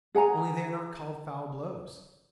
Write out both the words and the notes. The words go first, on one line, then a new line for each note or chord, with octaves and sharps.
Only they are not called foul blows.
G#4 F#5 G#5 A#5